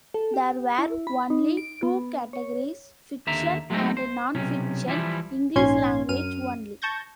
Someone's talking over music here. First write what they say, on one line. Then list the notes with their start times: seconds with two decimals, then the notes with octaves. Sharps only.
There were only two categories, fiction and non-fiction, English language only.
0.14 A4
0.34 G4
0.79 E4
1.07 B5
1.30 D#4
1.57 D7
1.83 B3
2.33 C#5
3.27 D#2 D3 E5 A#5
3.70 F#3 G#3 A3 B3 C4 D#4
3.97 C5
4.35 B1 C3 C#4
4.88 E3 F3 G3 E4
5.56 A#1 G#2 C#4 C6 G#6
6.08 F#2 F6 D#7
6.82 A5 C#6 G6 G#6 A#6